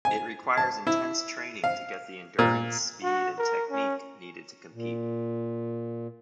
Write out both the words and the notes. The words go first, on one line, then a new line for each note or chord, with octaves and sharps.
It requires intense training to get the endurance, speed and technique needed to compete.
G#5
A5
E4
F5
A#2
F#4
A#4
C#4
A#2